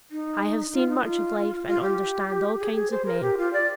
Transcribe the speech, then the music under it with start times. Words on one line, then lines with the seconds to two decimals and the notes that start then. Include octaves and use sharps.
I have seen much of life, and understand all kinds of men.
0.11 D#4
0.73 F4
0.89 D#4
1.04 F4
1.67 F4
1.82 G4
2.59 G#4
2.75 G#4
2.91 C5
3.06 A#4
3.21 G4
3.37 F4
3.53 D5